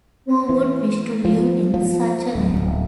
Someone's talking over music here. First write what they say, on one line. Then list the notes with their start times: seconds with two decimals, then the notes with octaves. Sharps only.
Who would wish to live in such a land?
0.49 E3
1.25 F3
1.74 F3
2.35 D1
2.54 D1